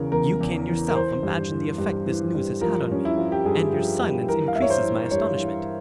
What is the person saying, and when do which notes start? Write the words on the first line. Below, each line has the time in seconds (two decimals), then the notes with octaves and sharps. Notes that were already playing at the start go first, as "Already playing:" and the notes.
You can yourself imagine the effect this news has had on me, and your silence increases my astonishment.
Already playing: E2 C#3 E3 C#4 A#4
0.12 E2 A#4
0.41 E2
0.68 E3
0.88 A#4
0.95 E3 C5
1.23 G2
1.51 E3
1.78 G2
2.06 E3
2.35 G2
2.61 F3 A#4
2.90 G2 C#4
3.05 E4
3.18 F3 F4
3.32 G4
3.45 G2 G#4
3.73 F3
4.01 G2
4.29 E3 A#4
4.48 F5
4.56 G2 E5
4.62 C#5
4.70 C5
4.84 E3
5.11 G2 C#5
5.39 E3